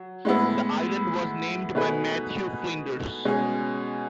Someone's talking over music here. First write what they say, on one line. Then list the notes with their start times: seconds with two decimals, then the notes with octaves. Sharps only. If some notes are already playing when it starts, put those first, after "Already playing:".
The island was named by Matthew Flinders.
Already playing: F#3
0.25 A2 G#3 B3 E4
1.75 B2 A3 D#4 G#4 B4
3.25 B2 G#3 C#4 G#4